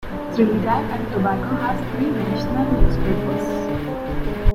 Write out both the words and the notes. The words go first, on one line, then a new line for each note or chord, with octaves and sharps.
Trinidad and Tobago has three national newspapers.
D4
F3
A2
A3
A2
B3
B2
D4
B2
A3
B2
D4
B2
E3
C3
G#3
D4
G#3
D3
C4
D3
G#3